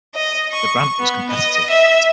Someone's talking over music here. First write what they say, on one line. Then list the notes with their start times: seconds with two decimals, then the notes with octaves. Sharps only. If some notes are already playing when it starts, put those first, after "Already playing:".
The grant was competitive.
0.15 D#5
0.52 C#6
0.99 B3
1.31 D#5
1.70 E5